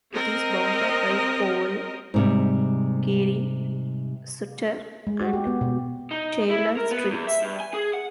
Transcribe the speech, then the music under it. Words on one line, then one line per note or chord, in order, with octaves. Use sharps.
It is bounded by Powell, Geary, Sutter, and Taylor Streets.
C4 A#4 D#5
G#2 C3 G3
G#3
F#4
G4
B3
B2
D#4
E4
A#4
B3
E2
E5
G2
G#5
G#4
F#5